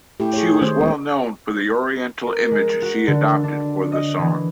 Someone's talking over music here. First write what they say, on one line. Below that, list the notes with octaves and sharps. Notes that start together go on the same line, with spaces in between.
She was well known for the Oriental image she adopted for the song.
A2 G4
G#4 C#5
D#3 A3 C5
E1
A#4
G#3
F#4
D3
D4
D#5
E3